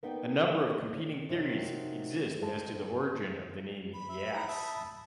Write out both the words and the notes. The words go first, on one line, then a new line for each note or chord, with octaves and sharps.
A number of competing theories exist as to the origin of the name "Yass".
A#3 B3 D#4 D5 G5
D4 C#5
C3 D#3 F3 F#3 D#4
D2 G2 G#3 A4 A5
B5
E5
D#4 E4 A#5
E5 A5 D#6